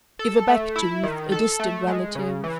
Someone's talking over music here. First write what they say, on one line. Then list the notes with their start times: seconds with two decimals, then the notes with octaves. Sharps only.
If a back tooth, a distant relative.
0.19 A4
0.48 A3
0.76 E4
1.03 D#3
1.32 A4
1.60 A3
1.87 G#3
2.15 C#3
2.44 E3